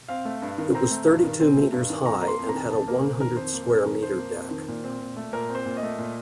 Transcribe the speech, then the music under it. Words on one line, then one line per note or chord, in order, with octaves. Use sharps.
It was thirty-two meters high, and had a one-hundred square meter deck.
C4 F5
A3
G2
D#3
C4 A#5
A3
G2
D#3
C4
A3
G2
D#3
F2 A#5
A#3 A#5
C6
F2
A#5
D#3
F2 A5
A#3 A#4
A#4
F2 C5
D#3 A#4
F2 C5
A#3
F2 A#4
D#3
F2 C5
A#3
F2
D#3
A#2
C4
A#2
A3
A#2 A#4
C4
C5
A#2
D#5
A3
A#2